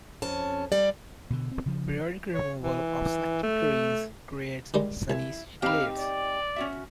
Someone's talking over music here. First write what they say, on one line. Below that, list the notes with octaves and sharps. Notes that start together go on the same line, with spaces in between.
Periodic removal of selected trees creates sunny glades.
F2 C#4 A5
G3 D5
B2 D3
C4
C#3 F3
C#5
E3
A3
D#3 G3 G#3
C2 E4
C4 D#4 G4 F5 G5 B5
D5
C#4 F#4 E5